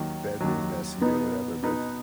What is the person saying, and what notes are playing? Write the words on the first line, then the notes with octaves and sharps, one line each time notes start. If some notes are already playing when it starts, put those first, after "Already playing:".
bedroom messy or whatever, but
Already playing: D#2 D#3 F#3
D#2 D#3 F#3
B2 B3 D#4 B4
B2 B3 D#4 B4